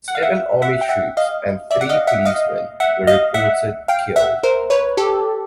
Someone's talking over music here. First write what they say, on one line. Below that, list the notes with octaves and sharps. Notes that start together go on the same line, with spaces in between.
Seven army troops and three policemen were reported killed.
F#5
F5
E5 F#5
E5 F#5
G5
E5 F#5
D#5 F5
D5 E5
F#5
D#5 F5
E5 F#5
D#5 F5
E5 F#5
D#5 F5
E5 F#5
F5 G5
E5 F#5
A#4 C5
B4 C#5
G4 A4